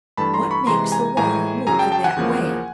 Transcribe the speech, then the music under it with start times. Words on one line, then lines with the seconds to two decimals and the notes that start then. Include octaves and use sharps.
What makes the water move in that way?
0.17 G2 E3 A3 A5 B5
0.34 A#5 C6
0.51 B5 C#6
0.67 C3 E3 G#3 A#5 C6
0.92 G#5 A#5
1.17 A2 E3 G#3 G#5 A#5
1.67 F#2 C#3 F#3 G#5 A#5
1.79 G5 A5
1.92 G5 A5
2.04 F#5 G#5
2.16 E2 C#3 F3 A#3